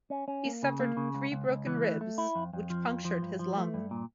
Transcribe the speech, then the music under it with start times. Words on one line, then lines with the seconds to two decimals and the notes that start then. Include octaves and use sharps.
He suffered three broken ribs, which punctured his lung.
0.10 C#4
0.28 C#4
0.45 A#3
0.63 C#3
0.79 A#3
0.97 C#3
1.14 C#2
1.32 C#2
1.49 C#2
1.67 E3
1.83 A3
2.01 A3
2.18 E4
2.35 F2
2.53 F2
2.70 F3
2.88 F2
3.05 F3
3.22 G2
3.39 F3
3.57 A3
3.74 G2
3.91 A#2